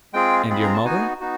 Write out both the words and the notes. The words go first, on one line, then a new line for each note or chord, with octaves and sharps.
"And your mother?"
G#3 C4 F4 G#4 G5
G#3 C4 F4 G#4 B5
A#5
A5
B3 D#4 F#4 G#5
B3 D#4 F#4